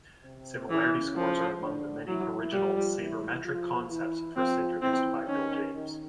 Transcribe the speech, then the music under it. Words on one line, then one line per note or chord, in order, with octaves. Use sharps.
Similarity scores are among the many original sabermetric concepts first introduced by Bill James.
C3 C4
C#3 E3 C#4
F3
D3 D4
E3 F#3 E4
F3 G3 F4
E3 E4
F3 F4
E3 E4
F3 C4 F4
E3 C4 E4
D#3 C#4 D#4
D#3 D#4